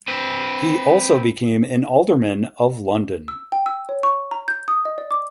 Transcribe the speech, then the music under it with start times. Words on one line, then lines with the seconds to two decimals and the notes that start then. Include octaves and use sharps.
He also became an Alderman of London.
0.08 C4 B4
3.28 E6
3.52 G5
3.66 E6
3.89 C#5
4.03 C#6
4.31 A#5
4.48 G6
4.68 D#6
4.85 D#5
4.98 D5
5.11 D6